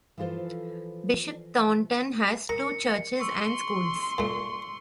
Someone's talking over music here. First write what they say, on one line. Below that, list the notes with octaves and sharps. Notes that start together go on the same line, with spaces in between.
Bishop Thornton has two churches and schools.
E3 F3 F4 A4 C5
A#4 A#5 C#7
C6 C#6 E6
A#2 A3